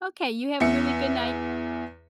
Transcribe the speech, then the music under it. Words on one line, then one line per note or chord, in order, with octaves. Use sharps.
Okay, you have a really good night.
E2 B3 E5 C#7